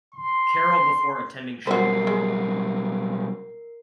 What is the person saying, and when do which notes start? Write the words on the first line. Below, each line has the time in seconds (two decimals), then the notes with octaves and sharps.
Carroll before attending Shimer.
0.13 C6
1.67 B2 F#3 G3 F#4 A#4 C5 C7
2.07 G#3